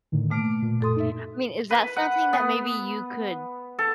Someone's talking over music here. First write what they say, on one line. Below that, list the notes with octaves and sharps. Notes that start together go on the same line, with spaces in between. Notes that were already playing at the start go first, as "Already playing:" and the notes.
I mean, is that something that maybe you could
A2 D3 D#3
B2 A3 A#3 D6 F6 D7
A#2
F#2 A#2 A4 C6 D#6
D#4 E5
B4
F#5
B3
A4